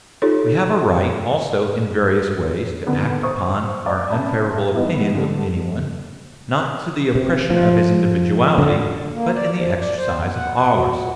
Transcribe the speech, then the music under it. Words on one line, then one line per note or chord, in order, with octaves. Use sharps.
We have a right, also, in various ways, to act upon our unfavourable opinion of any one, not to the oppression of his individuality, but in the exercise of ours.
D#4 F4 G4 A4 C#5
D3 D#3 B3
C5 C#6 D#6
D5
C#4 E5 A5 B5
D#3 G3 B3 D#4 E4
D3 G3 A3
C3
F3
D3
A#3
D5
F3
D5
C5
B3
F#5
F#5
F#4
A#2